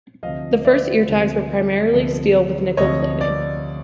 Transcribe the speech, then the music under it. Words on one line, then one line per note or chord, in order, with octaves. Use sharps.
The first ear tags were primarily steel with nickel plating.
D2 C3 F3 D#5 F5
D5 E5
D2 C3 F3
D2 C3 F3
D2 C3 F3 C#5 D#5
D5